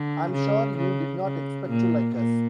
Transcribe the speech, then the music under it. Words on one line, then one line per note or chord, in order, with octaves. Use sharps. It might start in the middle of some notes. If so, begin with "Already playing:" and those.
I am sure you did not expect to like us..
Already playing: D3
C#3
C#3
C#3
A#2
A#2